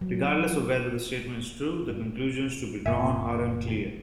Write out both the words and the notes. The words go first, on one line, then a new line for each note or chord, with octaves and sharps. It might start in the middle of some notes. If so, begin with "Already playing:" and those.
Regardless of whether the statement is true, the conclusions to be drawn are unclear.
F#3
G2
F#1 A#2 E5 G#5 C#6
C3 E3